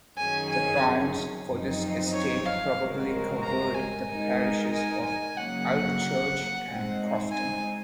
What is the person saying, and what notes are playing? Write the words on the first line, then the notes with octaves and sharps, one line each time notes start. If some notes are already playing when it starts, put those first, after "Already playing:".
The bounds for this estate probably covered the parishes of Alvechurch and Cofton.
F#2 D#3 F#3 C#4 G#4 G#5
G#5
F#2 F3 C4 D#4
C#5
F5
C#3 G#3 C4 F#4 A#4
A#5
G#5
G#3 D#4 A#4 D#5
G#5
G#5
C#3 F#3 A#3 F#5
G#3 C4 D#4
G#5